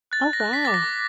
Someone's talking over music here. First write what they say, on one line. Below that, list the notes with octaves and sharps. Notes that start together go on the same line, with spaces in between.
Oh, wow.
F#6 A6
A#6
F#6
B6
D6 A6
A#6